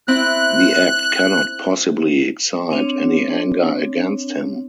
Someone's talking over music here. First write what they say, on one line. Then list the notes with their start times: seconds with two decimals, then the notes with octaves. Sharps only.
The act cannot possibly excite any anger against him.
0.08 C4 E4 F#6
2.71 C4 D4 C#5